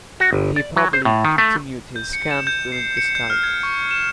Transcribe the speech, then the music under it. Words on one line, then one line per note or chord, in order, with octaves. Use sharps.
He probably continued his scams during this time.
F#4
G1
D5
F#3
C5
A2
D#3
A3
G6
C#7
E7
G6
C7
C#7
G6
F6
G#6
C#6
E7